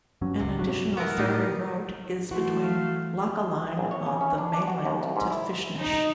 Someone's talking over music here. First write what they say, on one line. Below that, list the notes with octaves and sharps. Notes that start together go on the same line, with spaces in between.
An additional ferry route is between Lochaline on the mainland to Fishnish.
G2 F#3 C#4
F#1 C#2 C3
B1 G2 F#3
B3 E4 A#4
A2 G3 D#4
E3 A3 F#4 C6
F5
A#1
C#5
C#3
C#4
D4
D4
F#4
D#2
C2
G#2
E4
D#4